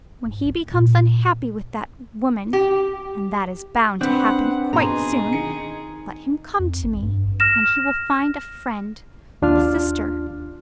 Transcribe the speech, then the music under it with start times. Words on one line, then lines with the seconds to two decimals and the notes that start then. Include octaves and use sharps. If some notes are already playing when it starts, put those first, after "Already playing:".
When he becomes unhappy with that woman, and that is bound to happen quite soon, let him come to me and he will find a friend, a sister....
0.25 G#2
0.45 A#3
0.72 A#2
2.53 G4
4.01 C4 D4 B4 F#5 F#6
4.73 B2 D#4 G#4 A#5 C6
5.33 D#3 C#7
6.59 F2
6.83 G#1
7.02 G2
7.40 F6 A#6 E7
9.42 D#2 D4 F4 F6